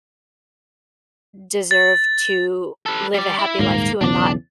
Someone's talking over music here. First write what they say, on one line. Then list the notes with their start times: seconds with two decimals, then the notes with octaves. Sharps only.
deserve to live a happy life too and not
1.71 A6
2.86 A4 B4
3.14 G3 D5
3.39 E4
3.59 D#1 G#2 A#3
4.01 B1 E2 C#3 D4 D5